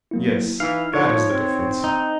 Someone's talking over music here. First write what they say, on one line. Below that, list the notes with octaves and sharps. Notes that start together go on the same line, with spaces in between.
Yes, that is the difference.
F#3 A#3 E4
E3 D#4 F5
F3 D#4 C#5
C4
D#4